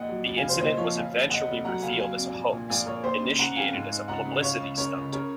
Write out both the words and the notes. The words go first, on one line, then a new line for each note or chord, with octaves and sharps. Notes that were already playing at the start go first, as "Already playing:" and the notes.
The incident was eventually revealed as a hoax, initiated as a publicity stunt.
Already playing: A#1 D#2 D#5 F#5
F#3
C#2
F5 G#5
C#2
C5
A#2 C5 D#5
F3 C#5 F5
F#1 F5 G#5
F#1
D#2 D#5 F#5
F1
F#3 F#5 A#5
D#2 F5 G#5
F#3 F5 G#5
C2
A#1
A#2
A#1 F5 G#5
A#1 A#4 C#5
D#2 C5
C#3
C#3 F#5 A#5
F2 F5 G#5
G#2
G#2
C#2 F#5 A#5
C#3
C#2 C#5 F5
C#2
C#3 A#4 C#5
C#2
C#3 A#4 C#5